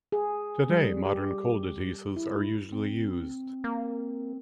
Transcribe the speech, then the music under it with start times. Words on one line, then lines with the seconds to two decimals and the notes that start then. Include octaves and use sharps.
Today modern cold adhesives are usually used.
0.12 G#4
0.70 G3
1.06 G4
2.16 E4
2.72 C4
3.64 A#3